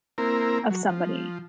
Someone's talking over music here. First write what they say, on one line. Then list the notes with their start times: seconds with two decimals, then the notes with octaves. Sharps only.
of somebody.
0.18 A#3 C4 E4 A#4
0.70 F#3
0.90 F3